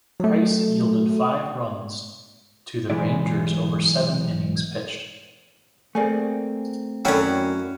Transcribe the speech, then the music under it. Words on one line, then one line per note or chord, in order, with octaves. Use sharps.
Price yielded five runs to the Rangers over seven innings pitched.
F#3 A3
B1 E3 G#3 E4 D5
A3 A#3 C4 G#4 D5 G#5
F#2 F#3 C#4 E4 A4 D5 G5